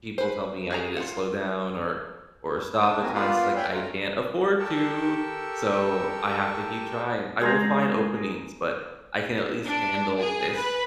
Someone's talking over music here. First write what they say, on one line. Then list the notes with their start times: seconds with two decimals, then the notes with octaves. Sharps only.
people tell me I need to "slow down" or or "stop" at times. It's like, "I can't afford to," so I have to keep trying. I will find openings, but I can, at least, handle this
0.18 B4 C5
0.71 F#4 G#4 A#5
0.97 F4 F#5
2.81 D4 A5
3.01 A#3 C4 F#4 A#4 B4 G#5
3.14 A#3 B3 F4 B4 D5 F5
3.56 C#5 D5 E5 G5 G#5
3.72 A3 F4 A#5
4.59 G4 A4 A#4 C#6 E6
7.41 G#3 G#4 C5 A#5
9.65 D4
10.19 G#4
10.55 B4